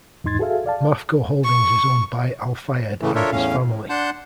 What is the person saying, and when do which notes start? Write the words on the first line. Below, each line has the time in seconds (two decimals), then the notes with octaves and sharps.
Mafco Holdings is owned by Al-Fayed and his family.
0.24 E2 G#2 D#4 C6 G#6 A6
0.39 F#4 G#4 A4 E5 F5
0.66 D5 F5 A5
1.44 C#6
3.02 A2 C#3 E3 A3
3.15 D4 F4 A4 A#4 C#5 E5
3.32 E2 A2 C#4 F5
3.65 A2
3.90 D4 F#5 A5 C6 G6